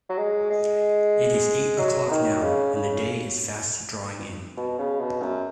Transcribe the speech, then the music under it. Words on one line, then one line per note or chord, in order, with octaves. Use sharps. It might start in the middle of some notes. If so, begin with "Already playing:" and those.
It is eight o'clock now, and the day is fast drawing in.
F#3
G#3
G#3
F#3
D#3
C#3
C#3
B2
C#3
B2
F#2